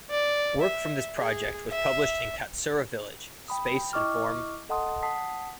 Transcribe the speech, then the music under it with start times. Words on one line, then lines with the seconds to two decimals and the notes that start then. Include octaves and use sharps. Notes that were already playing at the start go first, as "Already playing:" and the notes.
Work from this project was published in "Katsura Villa: Space and Form".
0.11 D5
0.61 E5
1.17 G#4
1.71 E5
3.48 G5 B5 D#6
3.75 G5
3.93 E4 D#5 C#6 D6 F6
4.69 A4 D#5 F#5 A5 C6 D#6
5.03 F#5 A5 D#6 B6 C7